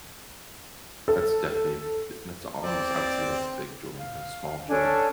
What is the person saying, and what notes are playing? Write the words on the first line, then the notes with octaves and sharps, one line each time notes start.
that's definitely b that's almost I would say that's a big joy, not a small joy.
A4
C4 D5
F5
C#4 D4 A4 G#5